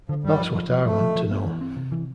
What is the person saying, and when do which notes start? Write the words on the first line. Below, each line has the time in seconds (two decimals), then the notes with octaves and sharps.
That's what I want to know.
0.09 D3 F3
0.24 G2 G3
0.40 F3
0.55 F3
0.70 F3
0.85 F3 A3
1.00 F3
1.16 F3
1.31 B3
1.46 E3
1.61 C4
1.77 C3
1.92 E3